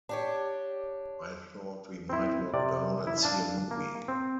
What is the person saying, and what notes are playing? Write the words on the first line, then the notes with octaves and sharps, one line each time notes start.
I thought we might walk down and see a movie.
D4 G4 C#5
C4 E4
C3 D5
E4
D4 F5 A5
A#3
C4